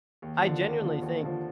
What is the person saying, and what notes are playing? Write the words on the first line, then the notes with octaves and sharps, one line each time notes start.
I genuinely think
D#2
F3
D3
D#2
D3 F3
D#2
D3 F3